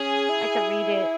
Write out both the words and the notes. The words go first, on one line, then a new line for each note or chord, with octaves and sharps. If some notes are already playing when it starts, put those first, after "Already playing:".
I could read it
Already playing: C#4 G#4
E4